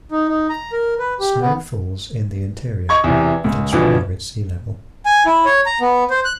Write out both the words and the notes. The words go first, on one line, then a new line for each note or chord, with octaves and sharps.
Snow falls in the interior, but it's rare at sea level.
D#4
D#4
A#5
A#4
B4
G4
B3
D#5 C#6 G#6
E2 C3
C#2
E2 B2 D3 E3 F3
G#5
E4
C#5
A#5
B3
C5
F#6